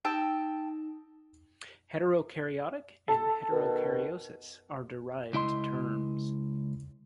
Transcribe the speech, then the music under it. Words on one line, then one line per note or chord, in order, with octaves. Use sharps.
Heterokaryotic and heterokaryosis are derived terms.
D#4 G5 A5 E6
A4
B2 D#3
C#2 E4 D#5 C6